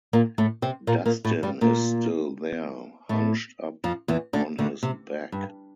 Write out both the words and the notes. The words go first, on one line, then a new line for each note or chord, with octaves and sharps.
Dustin is still there, hunched up on his back.
A#2 A#3
A2 A3
C3 C4
A#2 A#3
A#2 A#3
A2 A3
G2 G3
A#2 A#3
A2 A3
F2 F3
E2 E3
D2 D3
D2 D3
C3
G2